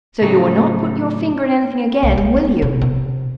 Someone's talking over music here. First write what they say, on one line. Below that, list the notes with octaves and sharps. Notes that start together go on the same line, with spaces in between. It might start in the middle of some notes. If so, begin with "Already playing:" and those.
"So you will not put your finger in anything again, will you?"
A2 C#3 F#3 A3 D4 D#4
C2
A#3
B3
C3
C3